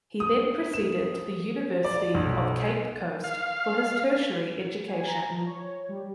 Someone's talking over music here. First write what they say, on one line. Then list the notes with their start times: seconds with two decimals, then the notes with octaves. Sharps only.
He then proceeded to the University of Cape Coast for his tertiary education.
0.20 D#6
0.74 E7
1.85 D5
2.14 B1
3.24 F5
4.88 G#5
5.07 A#5
5.30 F3
5.46 C#5
5.89 G3